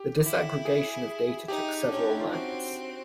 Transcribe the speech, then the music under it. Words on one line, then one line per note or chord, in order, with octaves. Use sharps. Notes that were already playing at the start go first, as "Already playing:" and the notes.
The disaggregation of data took several nights.
Already playing: G4
E4
G#4
D#4 G4
D4
C#4
D#4
E4
F4
C4 F#4